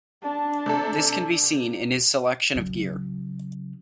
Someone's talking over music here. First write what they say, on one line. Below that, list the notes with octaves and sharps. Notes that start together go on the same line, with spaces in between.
This can be seen in his selection of gear.
D4 A5
C3 A4
C#3 F#3